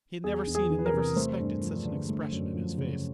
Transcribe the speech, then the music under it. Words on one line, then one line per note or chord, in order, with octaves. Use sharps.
He had never seen and never suspected such an expression in his face.
E2 G#4
E2
G#4
E3
B4
A#4
C3
A3 C5
G2
F3
D3
A3
F#2
F3
C#3